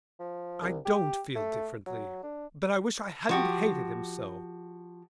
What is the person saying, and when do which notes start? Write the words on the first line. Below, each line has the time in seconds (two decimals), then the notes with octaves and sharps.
"I don't feel differently, but I wish I hadn't hated him so."
0.20 F3
0.62 C2
0.86 G4
1.36 A3
1.87 F#3
2.23 D4
3.29 F3 F#4 G4